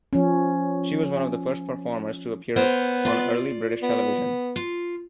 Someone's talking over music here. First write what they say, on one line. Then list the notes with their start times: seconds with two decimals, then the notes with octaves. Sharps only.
She was one of the first performers to appear on early British television.
0.13 F3 C#4
2.56 B3 A#4 C5 C#5
3.05 F4 D5
3.82 B3
4.56 F4